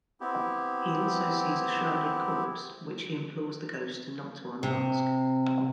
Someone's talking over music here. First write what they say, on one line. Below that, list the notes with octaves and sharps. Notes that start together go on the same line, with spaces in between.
He also sees a shrouded corpse, which he implores the Ghost not to unmask.
B3 C4 E4 G4
C3